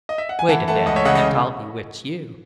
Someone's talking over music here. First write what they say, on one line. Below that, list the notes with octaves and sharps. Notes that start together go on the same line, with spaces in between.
Wait a bit, and I'll bewitch you!'
D#5
E5
F#5
G#5
E3 F#5 A5
A3 F#5 A5
C#2 D#5 F#5
C#5 E5
C#3 D#5 F#5
D#5 F#5